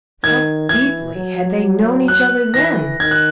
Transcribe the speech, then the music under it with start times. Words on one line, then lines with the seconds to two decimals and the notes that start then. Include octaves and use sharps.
How deeply had they known each other then!
0.24 D#3 G#6
0.69 E3 G#6
1.15 F#3
2.08 F#6
2.54 E3 A#6
3.00 D#3 G#6
3.11 F#6